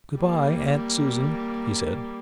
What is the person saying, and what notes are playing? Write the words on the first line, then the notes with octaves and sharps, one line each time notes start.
"Good-bye, Aunt Susan," he said.
G3 A#3